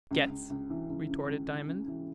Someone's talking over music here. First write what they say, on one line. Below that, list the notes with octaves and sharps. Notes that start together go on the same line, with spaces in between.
"Gets!" retorted Diamond.
C#2
C#2
C#2
E3
C#2
C#3
C#2
C#3
C#3
E3